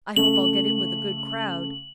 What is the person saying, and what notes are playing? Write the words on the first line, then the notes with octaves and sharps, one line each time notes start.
I hope I'll get in with a good crowd.
C#3 A3 F#7